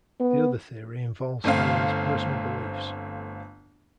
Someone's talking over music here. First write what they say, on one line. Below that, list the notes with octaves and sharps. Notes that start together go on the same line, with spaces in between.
The other theory involves Howell's personal beliefs.
B3
G1 A3 C4 F5